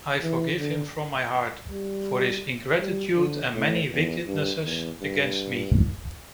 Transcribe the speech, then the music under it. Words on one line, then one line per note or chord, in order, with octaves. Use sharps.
I forgive him from my heart for his ingratitude and many wickednesses against me.
E3
D3
G3
G3
D3
A2
E2
G2
E2
G2